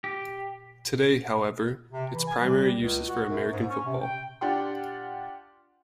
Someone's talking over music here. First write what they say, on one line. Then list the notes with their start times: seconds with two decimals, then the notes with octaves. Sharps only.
Today, however, its primary use is for American football.
0.04 G4
1.92 C3
2.13 E3
2.27 G#5
2.41 G3
2.79 C#2
3.08 F#4
3.28 F#2
3.52 G#2
3.69 C#4
3.86 C3
4.01 G5
4.41 D4 F4 G4 F#5 G5 C6